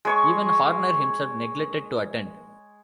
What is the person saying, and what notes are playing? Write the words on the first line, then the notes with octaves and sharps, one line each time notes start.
Even Horner himself neglected to attend.
G#3 C#5 C#6